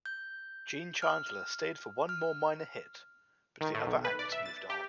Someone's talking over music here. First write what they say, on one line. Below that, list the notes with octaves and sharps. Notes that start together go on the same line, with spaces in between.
Gene Chandler stayed for one more minor hit but the other acts moved on.
G6
F6
F6
D#3
A2
B1
B4
D5
E5
A6
G4